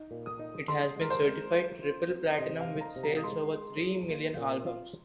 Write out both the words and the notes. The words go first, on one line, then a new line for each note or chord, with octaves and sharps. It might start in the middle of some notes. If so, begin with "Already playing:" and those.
It has been certified triple platinum with sales over three million albums.
Already playing: D#4
A#2
D#6
D#4
G#4 C6
G#3 A#4
C5
G#3
F4
F4
C4
C3 D#5
F5
D#4
A#5
C3
A#5
D#6
G#3 C6
G#4
G#4
A#3
A#2
F4